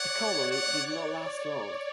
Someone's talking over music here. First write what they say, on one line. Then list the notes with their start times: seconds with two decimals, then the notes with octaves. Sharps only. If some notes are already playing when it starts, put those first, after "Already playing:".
The colony did not last long.
Already playing: C#5 D5 F#5
0.51 F#5